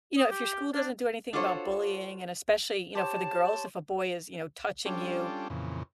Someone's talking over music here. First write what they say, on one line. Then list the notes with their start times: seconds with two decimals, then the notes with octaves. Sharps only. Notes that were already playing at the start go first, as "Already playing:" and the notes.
you know, if your school doesn't do anything about bullying, and especially, you know, for the girls, if a boy is, you know, touching you,
0.18 D#6
0.31 G4
0.74 D4
1.33 D4 F4 F#4 A4 C5 C#5
2.95 G4 C5 C#5 A5
4.86 G3 C#4 D4 F4 A4 G5
5.50 F2 A#2 C#3 E3